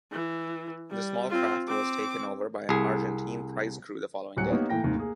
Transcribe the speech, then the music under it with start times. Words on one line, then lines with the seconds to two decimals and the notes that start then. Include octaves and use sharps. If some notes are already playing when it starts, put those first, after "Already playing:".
The small craft was taken over by an Argentine prize crew the following day.
0.11 E3
0.90 G3
1.30 C4 F4
1.68 C4 D6
2.69 C2 G#4
4.36 D1 F#3 G3 G#5 F#6 C#7
4.50 A#3 B3 D#4 G4 C#5
4.70 A2 E3 A#3 G5 A#6
4.84 D#2 G#2 C3 D#3
4.95 A#3 G#4